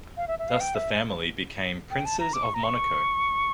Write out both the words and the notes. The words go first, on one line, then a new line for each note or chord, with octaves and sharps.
Thus the family became Princes of Monaco.
F5
E5
E5
F5
G5
E5
G5
A5
A#5
D6
C#6
A#5
C#6